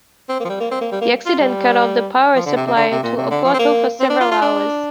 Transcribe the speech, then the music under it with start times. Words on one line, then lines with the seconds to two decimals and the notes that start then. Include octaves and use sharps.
The accident cut off the power supply to Oporto for several hours.
0.29 C4
0.40 A#3
0.45 F3
0.49 G3
0.60 A#3
0.71 C4
0.81 A#3
0.92 G3
1.01 A#3
1.26 F4
1.40 G3
2.36 F3
2.46 D3
2.56 C3
2.66 C3
2.76 D3
2.91 C3
3.03 A#2
3.17 C3
3.31 D3
3.45 F3
3.54 C4
3.59 A#3
4.00 C4
4.10 D4
4.21 F4
4.31 F4
4.42 D4